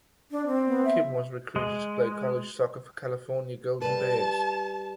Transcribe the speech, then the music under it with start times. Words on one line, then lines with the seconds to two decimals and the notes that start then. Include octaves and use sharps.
Kim was recruited to play college soccer for California Golden Bears.
0.31 D4
0.47 C4
0.67 B3
0.85 E5
1.56 G#3
3.82 G3 B4 A5